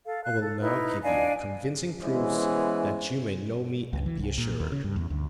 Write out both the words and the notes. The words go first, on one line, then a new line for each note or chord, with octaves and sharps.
I will now give you convincing proofs that you may know me and be assured.
A4 F5
F5 F#6
A4
D#4 E4 B4
D4 D#5 F5 G#5
E3 G#3 B3 C#4 E4 C5
C#2
E3
C2
A#2
D#2
C#3
G2
E2
D2